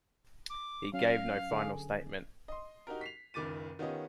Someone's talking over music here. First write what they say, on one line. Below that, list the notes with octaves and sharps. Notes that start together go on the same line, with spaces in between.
He gave no final statement.
D6
F#3 C#4 F5
D3 G#4 A4
D#5 C6
D#4 F#4 G4 A#4
B6 C7 F7
F#1 C#2 D#3 D6 A6 D#7
D#3 B3 C#4 F4 G4 D#5